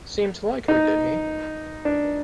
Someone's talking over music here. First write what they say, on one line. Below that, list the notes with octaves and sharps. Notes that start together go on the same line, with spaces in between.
Seemed to like her, did he?
D#4
D4